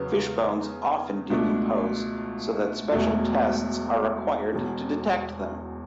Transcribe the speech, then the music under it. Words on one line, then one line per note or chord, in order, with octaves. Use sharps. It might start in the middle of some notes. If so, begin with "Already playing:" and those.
Fish bones often decompose so that special tests are required to detect them.
Already playing: E2 C#3 F#3 B3
C#2 B2 A3 D4
E1 E2 B2 A3
E1 E2 B2